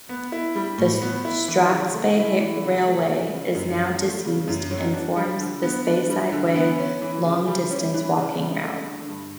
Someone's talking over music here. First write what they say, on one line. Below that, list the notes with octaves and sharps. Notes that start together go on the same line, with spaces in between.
The Strathspey Railway is now disused and forms the Speyside Way long-distance walking route.
B3
E4
G3
A2
B3
E4
E3
C#3
A3
E4
E3
C#3
A3
A3
C#3
F#2
F#3
A3
C#3
F#2
F#3
D4
G3
D3
B3
D4
G3
D3
B3
C#4
E3
C#3
G3
C#4
E3
C#3
G3
A3
D3
G2